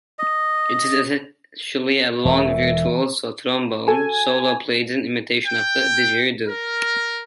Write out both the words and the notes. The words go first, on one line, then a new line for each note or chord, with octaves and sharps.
It is essentially a long, virtuoso trombone solo played in imitation of the didgeridoo.
D#5
E1 E3 E5
F#4 A4 G#5 A5
G5
A#4